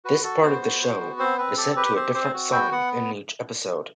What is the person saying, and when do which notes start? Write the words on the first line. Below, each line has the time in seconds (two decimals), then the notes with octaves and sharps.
This part of the show is set to a different song in each episode.
0.05 F#4 B4
0.23 F#4 A4
0.43 B3 C5
0.62 F#4
0.82 F#4
1.00 B3
1.19 C4 C5
1.38 C4 B4
1.57 G4 A4
1.76 G4 B4
1.95 C4 C5
2.14 C4 C5
2.34 F#4
2.52 B3 G5
2.72 B3 F#5